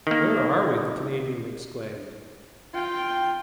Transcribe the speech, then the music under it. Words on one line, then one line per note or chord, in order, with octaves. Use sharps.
"Where are we?" the Canadian exclaimed.
D#3 A#3
F4 G5